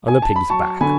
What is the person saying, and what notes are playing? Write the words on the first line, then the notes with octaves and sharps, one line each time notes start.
On the pig's back.
G#5
A5
B5
F#3 A5 C#6
D3 G#5 B5